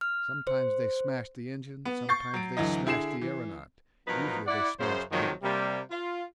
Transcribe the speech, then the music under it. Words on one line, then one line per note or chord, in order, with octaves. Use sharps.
Sometimes they smashed the engine, sometimes they smashed the aeronaut, usually they smashed both.
F6
C5
B3
C#6 G6 A6 C7
F#3 D7
D2 E3 F#3 D#5
D3 E4 G#4 C7 E7
E3
G2 F3 F#3 B3 D#4 A#4
E4 D5 F#5
F#2 C#3 C5
C3 D#3 F3 F#3 G#3 A#3
C3 G3 A#3
F4